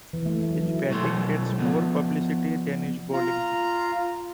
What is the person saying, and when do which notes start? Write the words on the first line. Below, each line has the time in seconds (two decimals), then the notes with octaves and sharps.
His batting gets more publicity than his bowling.
0.13 E3
0.26 A3
0.50 F#3
0.66 E4
0.89 B1 F#3 A3 A4 C6
1.59 F3 B3
3.13 F4 A#5